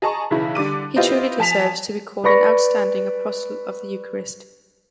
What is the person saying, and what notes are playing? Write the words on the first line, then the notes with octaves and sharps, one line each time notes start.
He truly deserves to be called an outstanding apostle of the Eucharist.
G#4 D#5 A5 A#5 C#6
B1 C#3 E3 E4
D3 G3 D6 D#7
B3 E4 F4 G4 C5 D#5
F3 G#5 A5 B6 F7
B4 D5 B5 C#6 A#6